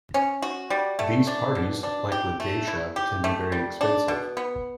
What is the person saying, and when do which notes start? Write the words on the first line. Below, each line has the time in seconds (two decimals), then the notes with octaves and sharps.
These parties, like with geisha, can be very expensive.
0.14 C#4
0.42 F#4
0.70 G3
0.99 A3
1.27 D4
1.55 B2
1.83 D4
2.12 G4
2.40 A3
2.68 E4
2.96 G4
3.24 A3
3.52 G3
3.81 D4
4.08 B2
4.37 B3